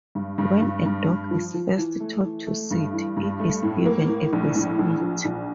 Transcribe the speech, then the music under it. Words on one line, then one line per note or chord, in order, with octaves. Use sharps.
When a dog is first taught to sit, it is given a biscuit.
G2
G2
G2
G2
G2
F3
F3
E3
A3
E3
A3
G2
E3
G2
A3
A2
A#3
A2
A#1
A2
A#1
F3
A#1